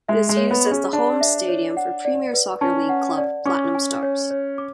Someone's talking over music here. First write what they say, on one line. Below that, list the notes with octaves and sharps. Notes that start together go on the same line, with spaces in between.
It is used as the home stadium for Premier Soccer League club Platinum Stars.
G#3 E5
G#3
C#5
B3
G#4
C#4
D4 A5
E5
C#5
F#5
D5
B4
C#4 A5
F#5
D5
C#4 D6
G#5
C#5
C#5
D6